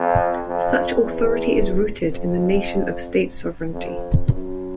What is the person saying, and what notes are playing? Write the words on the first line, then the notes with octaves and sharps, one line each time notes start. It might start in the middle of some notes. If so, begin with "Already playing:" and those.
Such authority is rooted in the notion of state sovereignty.
Already playing: F2
F2
E2
F2
F2
F#2